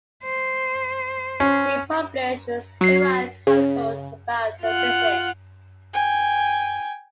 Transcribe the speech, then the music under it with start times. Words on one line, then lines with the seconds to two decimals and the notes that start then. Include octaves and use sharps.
She published several articles about her visits.
0.24 C5
1.40 C#4
2.81 F#3 C7
3.47 C#3
4.63 F4 F#5
5.93 G5 G#5